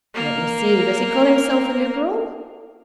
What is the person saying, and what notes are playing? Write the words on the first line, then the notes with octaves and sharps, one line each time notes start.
"Let me see, does he call himself a Liberal?"
A#3 A#4